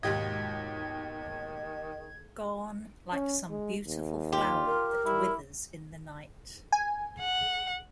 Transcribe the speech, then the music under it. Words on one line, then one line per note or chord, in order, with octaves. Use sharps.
Gone like some beautiful flower that withers in the night.
D#2 G#2 B2 D#3 F4 G4 D#5 G#6
C#4
G#3
D#2
F4 G4
A#4
G3 E4
G#5
F#5